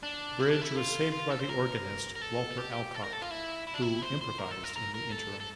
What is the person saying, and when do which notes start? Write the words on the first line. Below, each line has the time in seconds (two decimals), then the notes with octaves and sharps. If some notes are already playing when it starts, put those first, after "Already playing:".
Bridge was saved by the organist, Walter Alcock, who improvised in the interim.
0.03 D4
0.40 E4
0.51 D4
0.61 E4
0.76 F4
1.12 F4
1.30 A4
1.40 C5
1.49 A#4
2.15 A#4
2.21 A4
2.58 G4
2.94 A4
3.03 A#4
3.12 A4
3.21 F4
3.30 E4
3.67 E4
3.74 D4
3.82 E4
4.02 C5
4.22 C5
4.39 A#4
4.51 A4
4.64 A#4
4.76 A#4
4.94 A#4
5.12 A4
5.40 A4